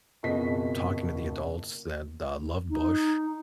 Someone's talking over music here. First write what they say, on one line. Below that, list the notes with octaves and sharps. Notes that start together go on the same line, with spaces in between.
talking to the adults that, uh, loved Bush,
F#1 F2 B2 G#4 D#5 B6
D#4